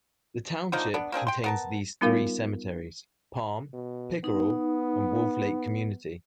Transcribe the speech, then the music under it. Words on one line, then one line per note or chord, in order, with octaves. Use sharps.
The township contains these three cemeteries: Palm, Pickerel and Wolf Lake Community.
D3 F3 A#3 D#4
B3 D4
A#3 C4 D4 G#4
G5 C6
B3 A#4 A5
G3 B3 D#4 F4 A#4 F5
B2
B3 D#4